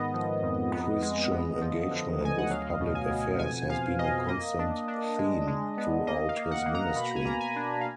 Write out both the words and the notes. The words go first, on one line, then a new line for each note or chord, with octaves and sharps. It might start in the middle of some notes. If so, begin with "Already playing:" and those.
Christian engagement with public affairs has been a constant theme throughout his ministry.
Already playing: G#2 D#3 B3 D#5
F3
F2
B3
G#3
B3
F3
D3
D2 G#5
F#5
F#3 F5
B2
G#5
B3
F2 G#5
F3 F5
F2 D#5
A#3 D#5
D4
D4
G#3
G#3
B3
A#3 D#5
F5
A#3
F#5
A#3
A#5
B2 B5
A#5
G#5
A#3 A#5
G#5
D4
F5